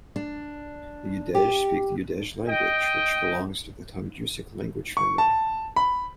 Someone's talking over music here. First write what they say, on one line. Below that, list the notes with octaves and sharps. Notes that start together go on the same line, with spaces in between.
The Udege speak the Udege language, which belongs to the Tungusic language family.
D4
G4
D#5 G5
C#6
A5
B5